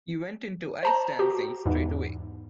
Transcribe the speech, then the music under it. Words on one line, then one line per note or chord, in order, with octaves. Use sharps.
He went into ice dancing straight away.
C5 A5 A#5
F#4 G4
E2 G#2